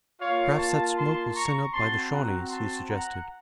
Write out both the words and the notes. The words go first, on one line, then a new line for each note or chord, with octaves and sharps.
"Perhaps that smoke was sent up by the Shawnees," he suggested.
A#3 F4 C#5 F5
F5 A5
A5 C6
A#5 C#6
C4 F#4 A5 C6
F#5 A#5
A5 C6
F#5 A#5